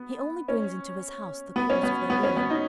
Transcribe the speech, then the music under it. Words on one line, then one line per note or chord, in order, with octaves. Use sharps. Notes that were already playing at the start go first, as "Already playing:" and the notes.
He only brings into his house the cause of their ruin.
Already playing: B3
C#4
B3
C#4
B3
B3
C#4
B3
D#4